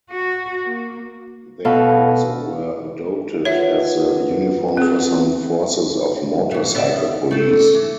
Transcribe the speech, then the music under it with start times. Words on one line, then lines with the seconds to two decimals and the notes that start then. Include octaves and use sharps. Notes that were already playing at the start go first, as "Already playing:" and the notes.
They also were adopted as the uniform for some forces of motorcycle police.
0.11 F#4
0.65 A#3
1.65 B2 A4 B4 F5
3.45 F4 B4 C#5 E5 F#5
4.77 C4 G#4
6.51 B2 E3
6.74 B3 D5 E5
7.31 A3 A4
7.74 E3